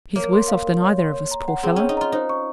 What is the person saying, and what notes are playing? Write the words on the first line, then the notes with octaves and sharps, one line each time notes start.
He's worse off than either of us, poor fellow.'
A#3 C#5
C6
F5
A#4
C#5
C6
C#5
A#5
F#5
C4 G#4
C#4 C#5
D#4
F4 A#5
D#4 C5
C#6